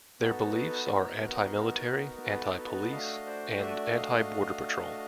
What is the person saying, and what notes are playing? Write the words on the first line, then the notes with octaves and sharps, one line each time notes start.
Their beliefs are anti-military, anti-police, and anti-border patrol.
B3 D#4 F#4 A4
A4 B4
A#4
A4 B4
A4 B4
A3 D4 F#4 D#5 F5
C5 D5
D5 E5
D#5 F5